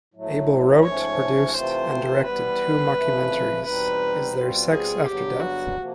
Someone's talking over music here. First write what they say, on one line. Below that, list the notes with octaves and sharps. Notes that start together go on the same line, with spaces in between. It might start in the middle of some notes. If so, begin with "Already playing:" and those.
Abel wrote, produced, and directed two mockumentaries - Is There Sex After Death?
A2 F#3 A3
G#2 F3 A3 C#4 C#5
C3 E3 A3 C4 F4 C5
E3 G3 B3 B4
F2 C#3 E3 A3
E2 B2 G3 C4 D#4 B4
B2 G3 C4 F4
G#4
G2 D3 F#3 B3 G4
F#4
C3 F3 A#3